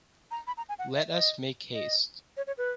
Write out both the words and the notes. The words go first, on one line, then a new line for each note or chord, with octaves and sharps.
Let us make haste.
A#5
B5
A#5
G#5
F#5
E5
D#5
D#5
C#5
C#5
B4